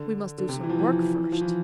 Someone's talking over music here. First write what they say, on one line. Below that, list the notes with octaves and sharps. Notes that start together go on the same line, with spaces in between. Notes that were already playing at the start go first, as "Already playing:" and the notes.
"We must do some work first."
Already playing: D3
D3
C3
E3
F3
E3
F3
E3